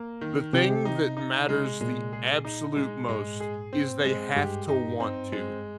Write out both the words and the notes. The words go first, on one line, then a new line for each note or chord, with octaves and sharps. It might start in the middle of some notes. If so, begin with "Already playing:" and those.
The thing that matters the absolute most is they have to want to.
Already playing: A#3
D#3
C3 G4
D#4
D#4
G#3
A#2 G#3
G#4
D#4
G#3
G#2 G#3
G#4
C4
G#3
G2 G4
D#4
C4
G#3